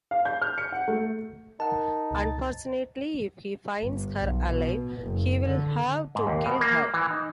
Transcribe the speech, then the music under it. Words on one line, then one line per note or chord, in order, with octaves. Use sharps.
Unfortunately, if he finds her alive, he'll have to kill her.
F5
G6
F6
C#7
F#5
A3
D#4 A#4 F#5 A5
C#2 B2 A6
G1
B1
B2
F#1
D3
G#2
D#2
B2
A#3
E3
D#4